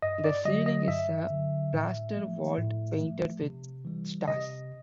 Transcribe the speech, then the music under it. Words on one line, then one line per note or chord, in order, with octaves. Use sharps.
The ceiling is a plaster vault painted with stars.
G2 D#5
D5
D3 F#3 D#5
D#5
G2 E5
D3 F#3
A2
F3 A3
A2
F3 A3
C3
E3 G3
C3 D#5